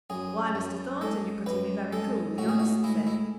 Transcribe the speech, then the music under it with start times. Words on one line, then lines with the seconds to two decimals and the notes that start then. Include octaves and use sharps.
'Why, Mr. Thornton you're cutting me very coolly, I must say.
0.10 F#2 G#4
0.55 F#2
1.01 G#3 A4
1.46 F#2 B4
1.93 G#3 A4
2.38 A2 F#4
2.49 G#4
2.59 F#4
2.84 G#3 E4
3.07 E4